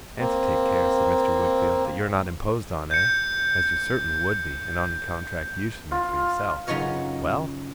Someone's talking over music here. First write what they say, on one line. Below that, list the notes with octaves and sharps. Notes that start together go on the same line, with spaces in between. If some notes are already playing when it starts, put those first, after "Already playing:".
'And to take care,' said Mr. Wickfield, 'that you're not imposed on, eh? As you certainly would be, in any contract you should make for yourself. Well!
A#3 C4
G6 C#7
F4
F#2 C#3 D#4 F4 C#5 D#5